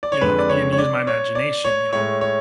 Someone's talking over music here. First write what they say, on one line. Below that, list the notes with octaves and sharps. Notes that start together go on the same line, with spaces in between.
you know, and use my imagination, you know?
D5
C#5
F2 D3 G#3 B4
D5
C#5
C#5
D5
C#5
D5
C#5
A2 G#3 C#5
C#5